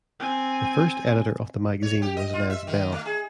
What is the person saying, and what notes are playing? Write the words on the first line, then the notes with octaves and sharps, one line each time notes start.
The first editor of the magazine was Les Bell.
C4 G#5
C#5
G4
D#5
F4
E5
D#3
A3
G#4